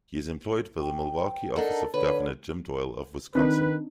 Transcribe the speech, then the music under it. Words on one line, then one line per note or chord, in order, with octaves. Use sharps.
He is employed by the Milwaukee Office of Governor Jim Doyle of Wisconsin.
G5
D4 D#4 A4 A#4 F#5
D3 B4 C#5
D#3 C4 D4 D#4 B4